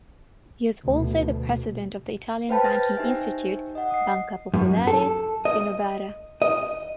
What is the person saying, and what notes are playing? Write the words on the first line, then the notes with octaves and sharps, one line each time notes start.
He was also the president of the Italian banking institute Banca Popolare di Novara.
D2 B2
B4 C5 F5 G5 A5 B5
F6 A6 A#6
D#4 G4 C5 E5 G5 G#5
D#5 F#5
D#6 C7
F#2
A4
D#5
D#5